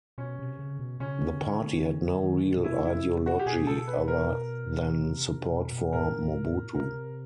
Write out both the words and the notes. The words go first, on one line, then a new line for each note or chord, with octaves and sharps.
The party had no real ideology other than support for Mobutu.
B2 C#4
C3
C#3
B2
C#3 C#4
D3
D3
D3
D3
D3
D#3
D3
B2
C3 E4
E4
F#4
G4
B2 G#4
A4
B4
A#4
C3
C3
B2
B2
A2 A#4
G#2
A2
C3 A#4